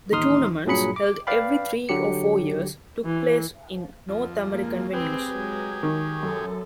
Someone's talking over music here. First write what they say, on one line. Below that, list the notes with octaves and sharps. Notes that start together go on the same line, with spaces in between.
The tournaments, held every three or four years, took place in North American venues.
A1 D#2 D#4 C6 D#6 F6
G2 A#2 F#3 G#4 B5 C#7
D6
B4 D5 F5 G5 B5
D3 F#3 G4 C#7
E3
F2
G#3 A#3
C4 G4 G#4 B4
F#3 G#3
D#3
F#2 A4